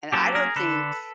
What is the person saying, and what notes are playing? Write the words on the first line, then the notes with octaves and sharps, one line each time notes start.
and I don't think
F#3 A#3 C#4 G4 A4
G#4 A#4
D3 A4 B4